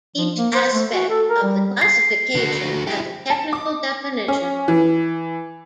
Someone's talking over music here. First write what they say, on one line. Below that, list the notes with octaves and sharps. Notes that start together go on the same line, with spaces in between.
Each aspect of the classification has a technical definition.
F3
A#3
C5
A3
F#4
A4
A#4
G3
C7
D3 F#4
E4 G4
A5
D6
C#4
E3